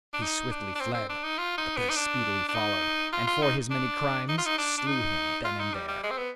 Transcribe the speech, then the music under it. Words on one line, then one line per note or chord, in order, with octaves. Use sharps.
He swiftly fled, but they speedily followed, and for his many crimes slew him then and there.
D4
D#4
D4
D4
C4
C4
D4
D#4
F4
D#4
B3
D#4
D4
D4
D#4
F4
F4
D#4
D4
D#4
F4
D#4
D4
D4
D#4
F4
D#4
G3
G3
G#3
C4
B3